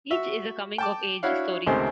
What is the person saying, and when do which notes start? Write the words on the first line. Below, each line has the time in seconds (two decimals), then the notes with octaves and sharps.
Each is a coming of age story.
0.10 F#4 E5
0.78 G5 A5 D6
1.23 D4 E4 F#4 C#5 F5 F#5
1.67 G#1 C#2 C3 D#3 A3 C5